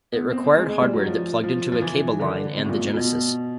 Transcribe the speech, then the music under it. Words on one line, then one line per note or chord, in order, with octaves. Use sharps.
It required hardware that plugged into a cable line and the Genesis.
B3
C4
C4
G#3
G#3
G3
F#3
F3
F3
F3
E3
D3
C3
A2
A#2
A#2
B2